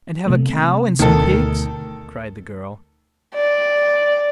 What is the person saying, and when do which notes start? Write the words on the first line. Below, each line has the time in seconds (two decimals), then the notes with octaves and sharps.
"And have a cow and some pigs!" cried the girl.
0.26 C3 A3 B3
0.99 D2 B2 D#3 A3 A4
3.34 D5